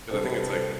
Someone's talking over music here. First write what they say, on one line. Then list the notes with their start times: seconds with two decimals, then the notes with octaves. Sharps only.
'cause I think it's like
0.10 C3 G3 D4 A4 C5
0.23 B4
0.31 A4 C5
0.51 A4 C5